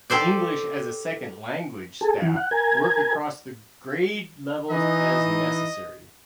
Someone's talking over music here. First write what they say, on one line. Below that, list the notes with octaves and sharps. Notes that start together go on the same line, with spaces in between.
English as a Second Language staff work across the grade levels as necessary.
G4 A4 C5 D5
G#4 A4
E3
F#5
A#4 G#5
E3 D#4 D#5